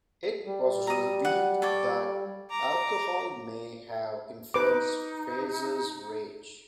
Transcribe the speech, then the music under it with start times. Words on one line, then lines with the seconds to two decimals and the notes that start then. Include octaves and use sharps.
It was revealed that alcohol may have influenced Fraser's rage.
0.46 G3
0.87 A#5 D#6
1.25 F#5
1.62 A4 C#5 D5
2.50 A#5 D6
4.54 D#4 B4 D6